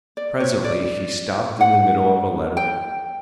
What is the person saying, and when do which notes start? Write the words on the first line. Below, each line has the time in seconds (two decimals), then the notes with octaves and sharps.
Presently he stopped in the middle of a letter.
0.17 D5
0.40 C#5
0.64 D5
1.61 F#5
2.57 G5